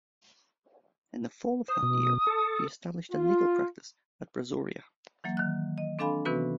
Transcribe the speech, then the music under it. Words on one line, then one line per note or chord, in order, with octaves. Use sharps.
In the fall of that year, he established a legal practice at Brazoria.
C5 D#6
B2
A4
F4
E3 F#3 A#3
D#3 F#6
D#5
C4 D4 A4 F5 G#5 B5
C3 E3 B3 C#4 F#4 B4